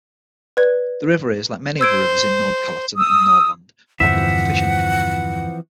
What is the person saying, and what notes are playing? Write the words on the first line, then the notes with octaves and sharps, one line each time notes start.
The river is, like many other rivers in Nordkalotten and Norrland, popular for fishing.
B4 D5 G#6
C5 E6 G#6 D7
D#6 E6
E2 G2 D3 E3 F3 C4 E5 F#5